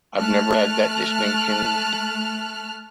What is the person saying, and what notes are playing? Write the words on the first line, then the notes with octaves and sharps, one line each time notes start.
I've never had that distinction.
A3 A5 F6 F#6